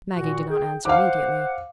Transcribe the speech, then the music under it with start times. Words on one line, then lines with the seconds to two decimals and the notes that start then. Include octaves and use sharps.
Maggie did not answer immediately.
0.14 A#2 D#3 F#4
0.49 G#4 G5
0.85 C5 F5 F#5 D6